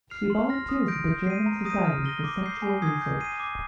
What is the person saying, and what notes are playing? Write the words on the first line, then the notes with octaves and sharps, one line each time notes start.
She volunteers at the German Society for Sexual Research.
F6 C7 F7
C6
F6 A#6
D#6
G6 A#6 D7
G6
C7 D#7
A#5
D#6 G6 A#6 D#7
F6
A#6 D#7 G7
D6
G6 C7
G#5
D#6 G#6 C7
G6
C7 D#7
D6